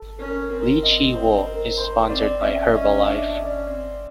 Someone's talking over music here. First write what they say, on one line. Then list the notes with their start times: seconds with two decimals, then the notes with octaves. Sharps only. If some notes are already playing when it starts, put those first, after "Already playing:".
Lee Chi Wo is sponsored by Herbalife.
Already playing: A4
0.19 C#4 A#4
0.51 C4 A#4
0.83 D#5
1.14 C5
1.46 A#4
1.77 C5
2.09 C4 D5
2.41 C#4 E5
2.72 C#4 D#5
3.04 D4 E5
3.35 C#4 D5
3.67 C4